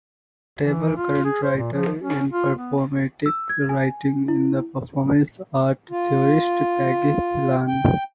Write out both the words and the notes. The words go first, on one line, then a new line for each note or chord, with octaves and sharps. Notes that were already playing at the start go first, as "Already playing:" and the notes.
A notable current writer in performative writing is the performance art theorist Peggy Phelan.
E3
F4
G#4
C5
A#2
F3
C#4
F4
B3
E6
G#6
G#5
E4
F4
G5